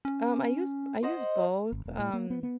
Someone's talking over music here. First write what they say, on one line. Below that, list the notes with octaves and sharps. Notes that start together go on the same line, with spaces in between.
Um, I use b I use both, um,
C#4
C5 D#5 F#5
G#1
E1
A2
A#3
B3
B3